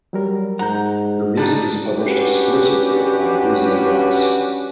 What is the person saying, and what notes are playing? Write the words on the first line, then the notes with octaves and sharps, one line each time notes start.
Her music is published exclusively by Boosey and Hawkes.
F#3 G3 A#4
G#2 F#5 A#5 G6
G3 G#3 D4 D#4 A5
C#4 D4 F#4 G4 B4